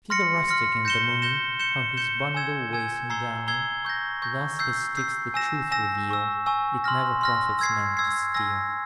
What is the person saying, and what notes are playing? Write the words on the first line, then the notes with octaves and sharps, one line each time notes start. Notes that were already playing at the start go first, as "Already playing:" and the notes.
"See the rustic in the Moon, How his bundle weighs him down; Thus his sticks the truth reveal, It never profits man to steal."
C6 F6 A#6 C#7
C6 F6 A#6 C#7
G6 A#6 C#7 E7 G7
G6 A#6 C#7 E7 G7
G6 C#7 E7 G7
G6 C#7 E7 G7
G#5 E6 G#6 E7
G#5 E6 G#6 E7
A#5 E6 G#6 C7 G7
A#5 E6 G#6 C7 G7
C#6 G6 A#6
C#6 G6 A#6
E6 G6 C7
E6 G6 C7
G#5 E6 A#6 E7
G#5 E6 A#6 E7
G#5 C#6 E6
G#5 C#6 E6
C6 F6 A#6
C6 F6 A#6
E6 G#6 C7
E6 G#6 C7
G#5 E6 A#6